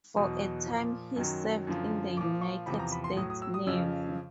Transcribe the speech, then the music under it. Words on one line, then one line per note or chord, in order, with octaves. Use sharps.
For a time, he served in the United States Navy.
E2 B2 F#3 D#6
A#2 F3
F#2 D#3 F#3
F#2 D3 F3
A#2 F3 D6
C#6
E2 C3 F3 B5
A#5
B5
C6
A2 F#3 D#6
D#6
E6
D#6
F2 C#3 F3 E6